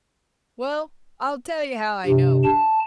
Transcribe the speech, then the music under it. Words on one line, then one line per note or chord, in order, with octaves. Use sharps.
Well I'll tell you how I know!
G2 C3
A5